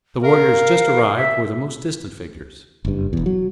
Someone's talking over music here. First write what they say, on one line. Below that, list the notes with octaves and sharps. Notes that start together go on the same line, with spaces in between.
The warriors just arrived were the most distant figures.
A#4 F5
E5
F#1 G2
E1 E2
F#3